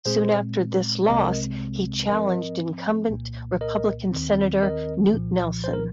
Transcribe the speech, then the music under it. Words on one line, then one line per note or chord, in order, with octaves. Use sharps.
Soon after this loss he challenged incumbent Republican senator Knute Nelson.
A#2 G#3 C4 G#4 C5
C2 C3 G#3 C4 A#4 D#5
G#2 F3 C4 A#4 D#5
C2 A#2 A#3
A#4 D#5
D#2 D#3 C4
A#4 D#5
C2 A#2 F3
C5
A#4